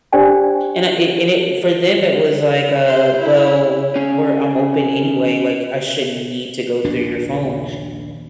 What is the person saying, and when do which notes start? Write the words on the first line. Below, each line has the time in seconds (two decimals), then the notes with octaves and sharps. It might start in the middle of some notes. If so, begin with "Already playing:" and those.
and I and it and it for them, it was like, uh, "Well, we're I'm open anyway, like, I shouldn't need to go through your phone,"
0.13 D4 G4 C5 D5 G5 G#5
2.86 C5
3.21 E4
3.96 C#4 G#4
6.84 A#1 D#2 D4